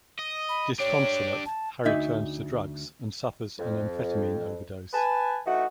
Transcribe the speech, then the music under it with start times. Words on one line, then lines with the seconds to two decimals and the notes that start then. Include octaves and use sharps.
Disconsolate, Harry turns to drugs and suffers an amphetamine overdose.
0.19 D#5
0.49 B5
0.79 D4 G4 C#5
1.46 A5
1.85 D2 D#4 E5
3.59 F2
4.93 B4 G#5 A5
5.46 E3 A3 D#4 F#4